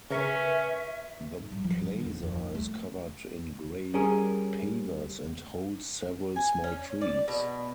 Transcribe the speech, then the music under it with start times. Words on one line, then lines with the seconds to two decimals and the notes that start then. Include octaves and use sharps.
The plaza is covered in gray pavers and holds several small trees.
0.11 C#3 C#4 A#4 B4 E5 C#6
1.40 G#2
1.52 G3
1.64 F3
1.78 G3
1.93 D3
2.06 F2
2.23 F2
2.39 C#2
2.55 A3
3.94 G3 C#4 G#4 A#4
6.36 G#5
6.64 C#4
7.01 D5
7.28 B2